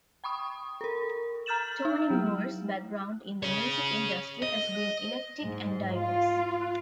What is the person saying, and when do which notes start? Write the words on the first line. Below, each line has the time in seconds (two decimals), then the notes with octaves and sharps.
Tony Moore's background in the music industry has been eclectic and diverse.
0.24 G5 B5 C#6 D#6
0.81 A4 A#4
1.46 A#5 F6 G6 A6 E7 F#7
1.85 D#4
2.10 F#3 E4
3.43 G#4 C#5
4.42 D#5
5.43 G#2
5.92 F4